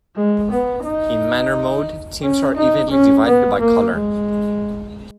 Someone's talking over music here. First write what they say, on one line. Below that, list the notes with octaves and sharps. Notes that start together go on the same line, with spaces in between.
In Manner mode, teams are evenly divided by color.
G#3
B3
D#4
C#4
D#4
C#4
B3
A#3
G#3